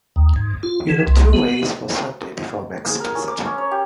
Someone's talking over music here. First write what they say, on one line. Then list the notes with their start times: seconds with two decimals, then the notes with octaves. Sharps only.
You'll look two ways for Sunday before I'm explicit.
0.16 D#2
0.36 G#2
0.63 F4
0.89 E3
1.07 C2
1.33 B3
2.87 G#4
3.00 A#4
3.15 C#4
3.28 D6
3.46 C#4
3.58 C#5
3.71 G4